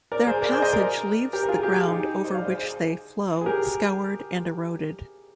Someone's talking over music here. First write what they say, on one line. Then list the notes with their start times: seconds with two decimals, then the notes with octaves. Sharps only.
Their passage leaves the ground over which they flow scoured and eroded.
0.12 A#4 D5
0.27 G#4 C5
0.42 A#4 D5
0.52 G#4 C5
0.58 D5
0.62 C5 D#5
0.73 A#4 D5
1.33 G4 A#4
1.44 A#4
1.49 F4 G#4
1.63 G4
1.75 G#4
1.87 D#4 G4
2.24 C5 D#5
2.35 D5 F5
2.44 C5 D#5
2.54 G#4 C5
3.41 G#4
3.46 G4 A#4